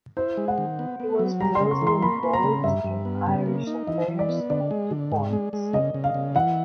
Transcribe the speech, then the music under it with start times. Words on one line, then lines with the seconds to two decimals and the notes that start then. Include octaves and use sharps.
He was closely involved in Irish affairs at two points.
0.17 E4 C5
0.37 G#3
0.48 F#5
0.58 D#3
0.79 B3
1.00 B3
1.19 F#3
1.40 G3 A#5
1.55 C6
1.60 C#3
1.71 C#6
1.82 E3
1.87 C6
2.02 A#3 B5
2.23 A#3
2.33 A#5
2.43 C#3
2.64 G2 E5
2.84 G2
3.05 B3
3.27 C#3
3.46 A#3
3.67 D#4
3.87 E3 D#5
4.08 E3
4.19 D5
4.29 B3
4.50 D3 D5
4.71 G#3
4.91 D3
5.12 G#2
5.33 G#3
5.53 G#3
5.73 C#3 D#5
5.94 C#3
6.04 F5
6.14 C#3
6.35 E3 F#5